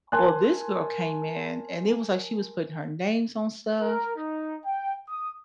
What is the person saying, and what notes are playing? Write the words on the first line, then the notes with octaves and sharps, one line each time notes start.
Well this girl came in, and it was, like, she was putting her names on stuff,
A#4 G#5 A5 C6 F#6
A#4
D#4
G5
D#6